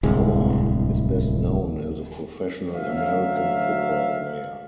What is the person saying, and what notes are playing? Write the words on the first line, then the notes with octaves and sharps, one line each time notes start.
Auer is best known as a professional American football player.
D1 C2 G#3
D2 F#3 E5 F5